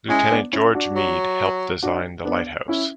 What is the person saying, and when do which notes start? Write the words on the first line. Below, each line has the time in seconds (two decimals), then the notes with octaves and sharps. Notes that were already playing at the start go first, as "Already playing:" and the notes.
Lieutenant George Meade helped design the lighthouse.
0.09 G#3 C#4 E4
0.30 B3 D4
0.53 C#4 E4
0.75 D4 F#4
0.95 F#3
1.83 D4 F#4
2.25 B3 D4
2.68 C#4 E4